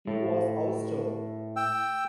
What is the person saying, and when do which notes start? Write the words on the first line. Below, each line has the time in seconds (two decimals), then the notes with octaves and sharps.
He was austere.
0.07 A2
1.56 G5 E6